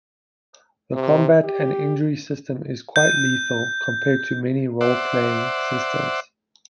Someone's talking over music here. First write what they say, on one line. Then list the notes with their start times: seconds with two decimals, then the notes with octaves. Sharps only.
The combat and injury system is quite lethal, compared to many roleplaying systems.
0.95 C3
1.44 G4
2.96 G6
4.81 C5 D5 E5 F#5